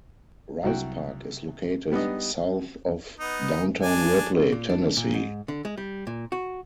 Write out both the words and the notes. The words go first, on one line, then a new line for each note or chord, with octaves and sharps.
Rice Park is located south of Downtown Ripley, Tennessee.
C2 F#3 F#4 G5
G3 B3 D4 D#4 D#5
B3 D#4
D4 G#5
A#2
D4
A#2
G#2
D3
G#3
G3
A#2
F#4